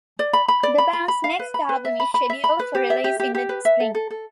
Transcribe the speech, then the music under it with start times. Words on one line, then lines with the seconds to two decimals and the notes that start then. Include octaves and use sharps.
The band's next album is scheduled for release in the spring.
0.19 D5
0.33 B5
0.48 B5
0.63 D5
0.78 B5
0.93 B5
1.08 B5
1.24 F5
1.39 B4
1.54 B5
1.69 B4
1.85 E5
2.00 B5
2.14 B5
2.30 E5
2.44 B5
2.59 B4
2.75 G4
2.90 E5
3.04 G4
3.20 G4
3.35 G4
3.49 B4
3.65 E5
3.80 A4
3.95 A4
4.11 A4